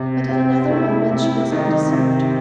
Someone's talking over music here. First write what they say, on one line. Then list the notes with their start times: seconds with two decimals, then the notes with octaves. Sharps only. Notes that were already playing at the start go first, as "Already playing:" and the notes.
But in another moment she was undeceived.
Already playing: C3
0.29 C3 C4
0.70 A3 E4
1.11 C3 E4
1.52 D#3 D#4
1.92 C3 C4